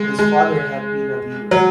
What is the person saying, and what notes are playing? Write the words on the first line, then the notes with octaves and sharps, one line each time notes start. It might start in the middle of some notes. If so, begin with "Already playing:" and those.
His father had been a weaver.
Already playing: G#3
G#3
F#3